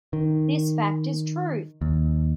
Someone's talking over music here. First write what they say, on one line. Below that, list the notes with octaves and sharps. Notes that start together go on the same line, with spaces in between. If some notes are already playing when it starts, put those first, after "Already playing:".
This fact is truth!
D#3
D#2